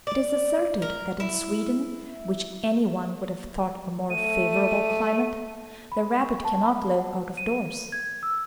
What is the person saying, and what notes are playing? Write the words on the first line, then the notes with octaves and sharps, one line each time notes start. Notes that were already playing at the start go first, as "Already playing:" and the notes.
It is asserted that in Sweden, which any one would have thought a more favourable climate, the rabbit cannot live out of doors.
D5
A#4
E4
A3 D#7
B5
C#6
A5
B5
F#5
D#7
G#6
E6